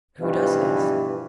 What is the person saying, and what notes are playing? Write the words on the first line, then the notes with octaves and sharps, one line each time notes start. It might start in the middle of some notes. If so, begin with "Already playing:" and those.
Who does this?
G2 B2 E3 F3